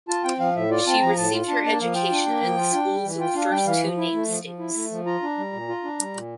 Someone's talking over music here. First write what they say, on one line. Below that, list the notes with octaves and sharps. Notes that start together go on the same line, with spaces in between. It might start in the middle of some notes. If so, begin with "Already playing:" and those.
She received her education in the schools of the first two named States.
F4 A5
C4 G5
F3 F5
A2 E5
F4 D5
C4 A5
F3 A#5
A2 A5
F4
D4 A5
A#3 A5
F3 F5
F4 G5
D4
A#3
F3
F4
D4
G3
E3
F4 G5
D4 F5
G3 G5
E3 F5
F3
E4
A3
F3
F3
E4
A3
F3
F4 A#5
D4
G3
A#2
F4
D4
G3
A#2